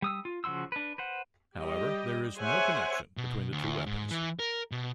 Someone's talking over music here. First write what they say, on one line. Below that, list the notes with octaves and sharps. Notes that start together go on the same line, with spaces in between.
However, there is no connection between the two weapons.
G3 D#6 E6
F4
C#3 F3 F#4 C6 E6
D4 B4
B4 C5 F#5
G3 G4 D#5
G#4 C5 C#5 E5 F#5 G#5
B2
D2
G#2
E3
A#4
B2